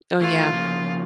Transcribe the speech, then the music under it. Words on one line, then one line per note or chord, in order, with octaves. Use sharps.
Oh yeah.
E3 A3 F4
C#3 F3 A#3